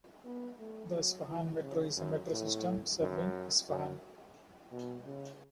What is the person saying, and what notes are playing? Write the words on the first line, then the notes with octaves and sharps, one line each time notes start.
The Isfahan Metro is a metro system serving Isfahan.
B3
A3
F#3
E3
C#3
F#2
A2
F#2
F#2
B2
C#3